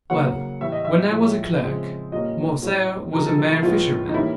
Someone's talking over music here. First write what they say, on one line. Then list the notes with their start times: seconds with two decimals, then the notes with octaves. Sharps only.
"Well, when I was a clerk, Morcerf was a mere fisherman."
0.10 C#3 F#3 A#3 C#4 F#5
0.61 A2 E3 G3 E5
0.72 D#5
0.85 E5
1.11 A2 F3 G#3 C#4
1.62 C#3 F3 G#3 C4
2.12 A#2 G3 A#3 C#4 D#5
2.63 A2 F#3 A3 C#4
3.13 C3 F3 G#3 A#4
3.26 A4
3.38 A4
3.51 E4
3.63 A2 F3 G#3 B3 F4
4.09 D#4
4.14 E3 G3 A#3 C#4 E4